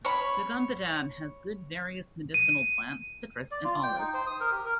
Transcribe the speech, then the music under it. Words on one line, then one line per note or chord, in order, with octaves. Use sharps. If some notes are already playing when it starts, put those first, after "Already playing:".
Dogonbadan has good various medicinal plants, citrus and olive.
C#5 B5
D#7
D5
F4
G5
D#4
C5
D#6
A#4
G4
A#4